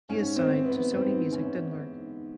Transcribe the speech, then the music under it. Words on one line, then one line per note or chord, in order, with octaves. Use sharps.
He is signed to Sony Music Denmark.
G#2 C#4
C4
E3
B3
G#2 C4
E3 C#4